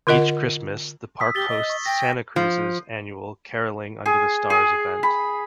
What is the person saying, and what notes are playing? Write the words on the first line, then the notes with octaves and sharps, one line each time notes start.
Each Christmas the park hosts Santa Cruz's annual "Caroling under the Stars" event.
D3 F4 A#4 D#5 F#5
D#6 E6 B6
G4 A6 G7
D#5
C#6
G5 A#6
F3
G#4
G#4
B5